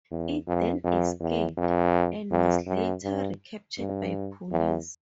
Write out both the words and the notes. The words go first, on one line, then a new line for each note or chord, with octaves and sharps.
It then escaped, and was later recaptured by police.
E2
F2
F2
E2
F2
F2
F#2
G2
G2
E2